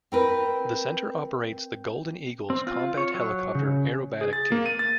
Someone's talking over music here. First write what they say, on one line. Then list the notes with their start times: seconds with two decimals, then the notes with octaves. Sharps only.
The center operates the "Golden Eagles" combat helicopter aerobatic team.
0.12 C4 A#4 B4
2.50 C4
2.67 F4
2.97 C#5
3.14 F#3
3.55 C#3
4.21 G#4
4.33 A6
4.52 A#3
4.66 D#7
4.79 A6